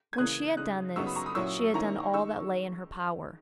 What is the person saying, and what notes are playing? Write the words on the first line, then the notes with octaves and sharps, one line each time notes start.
When she had done this, she had done all that lay in her power.
G#6
C#3 E3 A#3 D#6 F#6
C#3 G#3 D#4 D#6 F#6
F#2 C#3 F#3 B3 D#4 C#6 E6
B5 D#6
A#5 C#6
B5 D#6
A#2 F#3 C#4 E4 C#6 E6
D#3 A#3 C#4 E4 A#5 C#6
D#3 G#3 D#4 C#6 E6